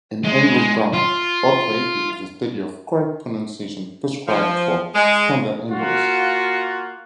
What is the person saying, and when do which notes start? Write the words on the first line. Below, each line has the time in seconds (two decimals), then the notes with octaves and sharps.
In English grammar, orthoepy is the study of correct pronunciation prescribed for Standard English.
0.24 G#3
0.93 F4
4.28 F3
4.95 G#3
5.70 A#3 F4 F#4